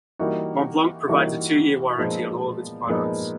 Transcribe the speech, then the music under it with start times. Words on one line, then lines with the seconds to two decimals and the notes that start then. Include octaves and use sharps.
Montblanc provides a two-year warranty on all of its products.
0.19 E3 G3 A#3 D#4 F#4
1.08 E3 G3 A#3 D#4 F#4
1.98 A#2 F3 G#3 B3 D#4
2.87 A#2 F3 G#3 B3 D#4